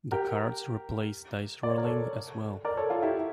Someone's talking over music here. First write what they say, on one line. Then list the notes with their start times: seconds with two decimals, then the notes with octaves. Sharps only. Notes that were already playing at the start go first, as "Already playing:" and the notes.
The cards replace dice-rolling, as well.
0.12 G4 A#4
1.63 D5
1.70 C#5
1.78 A#4
1.85 A4 C#5
2.65 A#4 D5
2.77 A4 C#5
2.90 F4 A4
3.02 E4 G4